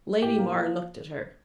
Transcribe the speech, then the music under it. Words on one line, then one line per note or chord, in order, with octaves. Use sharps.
Lady Mar looked at her.
A2 G4
A#3
F3